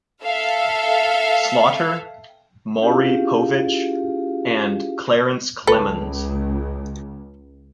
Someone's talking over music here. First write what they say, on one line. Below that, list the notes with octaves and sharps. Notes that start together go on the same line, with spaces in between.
Slaughter, Maury Povich and Clarence Clemons.
A4 E5 F5
C#4 E4 F4 G4 G#4 F5
C#2 A4 B4